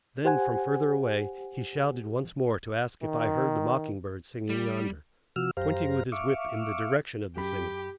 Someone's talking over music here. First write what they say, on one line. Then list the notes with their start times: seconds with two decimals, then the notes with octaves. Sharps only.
Then, from further away, he shouted once more to ask if I heard the mocking-bird singing yonder, pointing with his whip in the direction of the singer.
0.25 G4 C5 F#5 G#5
3.02 D#3
4.49 G3
5.36 C3 F3 F#4 E6 F6
5.57 F#2 G4 C5 F5 A#5
6.12 E5 F5 C#6 D6
7.37 F#2 G4 B5